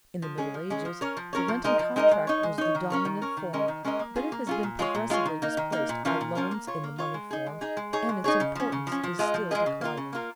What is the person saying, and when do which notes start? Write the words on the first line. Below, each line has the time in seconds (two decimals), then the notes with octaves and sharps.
In the Middle Ages the renting contract was the dominant form, but it has been progressively displaced by loans in the money form, and its importance is still declining.
0.22 F3
0.38 G#3 C#4 G#4
0.54 F3
0.70 G#3 C#4 G#4
0.85 F3
1.01 C#4 A#4 C#5
1.17 F3
1.33 C#4 A#4 C#5
1.48 F3
1.64 G#3 D#4 A#4 D#5
1.79 F3
1.96 G#3 D#4 A#4 D#5
2.11 G#3
2.27 D#4 C#5
2.43 G#3
2.58 D#4 C#5
2.75 D#3
2.90 C#4 A#4 C#5
3.05 D#3
3.22 C#4 A#4 C#5
3.37 D#3
3.53 G#3 C#4 A#4 D#5
3.68 D#3
3.84 G#3 C#4 A#4 D#5
3.99 A#3
4.16 C#4 F4 G#4
4.32 A#3
4.47 C#4 F4 G#4
4.63 A#2
4.79 G#3 F4 G#4 C#5
4.95 A#2
5.10 G#3 F4 G#4 C#5
5.26 D#3
5.42 A#3 D#4
5.57 D#3
5.72 A#3 D#4
5.89 A#2
6.05 F3 C#4 F4 A#4
6.21 A#2
6.35 F3 C#4 F4 A#4
6.51 A#3
6.67 F4 C#5
6.84 A#3
6.98 F4 C#5
7.14 G#3
7.31 D#4 G#4
7.46 G#3
7.61 D#4 G#4
7.77 G#3
7.93 D#4 G#4 C#5
8.09 G#3
8.24 D#4 G#4 C#5
8.40 C#3
8.55 F3 C#4
8.72 C#3
8.87 F3
8.92 C#4
9.03 F3
9.19 G#3 F4 G#4 D#5
9.34 F3
9.51 G#3 F4 G#4 D#5
9.66 C#3
9.81 A#3 F4 A#4
9.97 C#3
10.13 A#3 F4 A#4